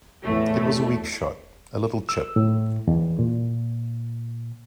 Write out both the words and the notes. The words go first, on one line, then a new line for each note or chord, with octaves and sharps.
It was a weak shot, a little chip.
E2 A2 A3
E6
A2
E2
A#2